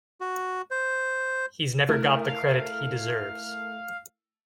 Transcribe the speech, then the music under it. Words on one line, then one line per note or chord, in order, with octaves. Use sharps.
He's never got the credit he deserves.
F#4
C5
A3 E4 A#4
F5